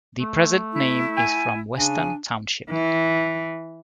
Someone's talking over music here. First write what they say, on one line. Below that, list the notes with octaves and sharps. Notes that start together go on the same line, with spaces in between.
The present name is from Weston Township.
A3
E4
G#5
C#3 D4 G#5
E3